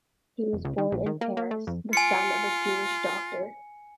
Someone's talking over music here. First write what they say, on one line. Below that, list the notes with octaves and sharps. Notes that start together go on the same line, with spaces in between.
He was born in Paris, the son of a Jewish doctor.
F1
C#2
D#3
A#1
D#3
A#3
A#3
A3
F2
F4 G#5 C#7